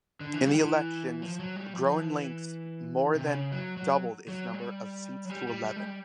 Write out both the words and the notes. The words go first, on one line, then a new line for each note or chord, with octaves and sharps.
In the elections, GroenLinks more than doubled its number of seats to eleven.
D3
E3
G3
E3
F3
F#3
G3
F3
E3
C3
C#3
F#3
F#3
F#3
G3
F#3
G3
G3
G3
G#3
G3